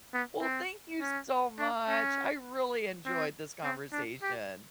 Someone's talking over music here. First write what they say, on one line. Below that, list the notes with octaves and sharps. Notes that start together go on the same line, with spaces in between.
Well, thank you so much. I really enjoyed this conversation.
B3
C4
C#4
D4
C#4
C4
C4
D4
G4